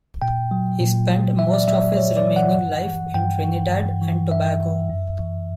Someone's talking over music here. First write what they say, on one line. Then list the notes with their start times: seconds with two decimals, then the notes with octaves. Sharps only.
He spent most of his remaining life in Trinidad and Tobago.
0.22 A#2 G5
0.51 F#3
0.80 A#2
1.10 F#3
1.39 A#2 E5
1.54 D5
1.68 F#3 E5
1.97 A#2 C#5
2.17 D5
2.26 F#3
2.36 F#5
2.56 G2
2.85 E3
3.14 G2 G5
3.44 E3
3.73 G2
4.02 E3
4.31 G2 E5
4.60 E3
4.89 F#2
5.19 E3